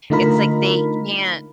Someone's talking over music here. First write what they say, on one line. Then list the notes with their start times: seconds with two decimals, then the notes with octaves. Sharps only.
It's, like, they can't
0.10 D3 A3 D#4 F4 A#4 B5